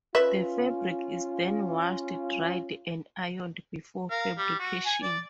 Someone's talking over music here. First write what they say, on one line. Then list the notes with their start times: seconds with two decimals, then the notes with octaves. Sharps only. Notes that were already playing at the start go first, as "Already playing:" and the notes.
The fabric is then washed, dried, and ironed before fabrication.
0.15 C#4 F4 B4 E5
4.11 A#4 F5
4.38 G3
4.59 F#4
4.86 G#5
5.03 D5